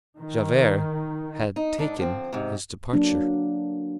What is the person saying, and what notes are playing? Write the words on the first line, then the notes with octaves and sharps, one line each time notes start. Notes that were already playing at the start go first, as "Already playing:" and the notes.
Javert had taken his departure.
D#3
D#4
G#2 D4 D#4
D3 F3 C4
G#2 C3
F#3 A#3 D4